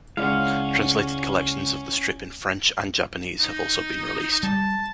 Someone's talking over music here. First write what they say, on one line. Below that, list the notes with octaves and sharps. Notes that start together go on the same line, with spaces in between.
Translated collections of the strip in French and Japanese have also been released.
C#2 G#3 C#4 E4 D5 F5 F#5
D#4
G3 A5